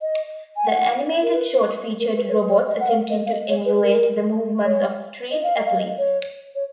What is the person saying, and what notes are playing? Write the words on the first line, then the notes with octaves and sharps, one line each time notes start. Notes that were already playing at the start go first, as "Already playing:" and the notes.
The animated short featured robots attempting to emulate the movements of street athletes.
D#5
G#5
F#5
A#4
B4
A#4
B4
C#5
B4
C#5
D#5
F#5
F5
D#5
F5
D#5
C#5
B4
A#4
C#5
D#5
F5
D#5
F5
D#5
C#5
C#5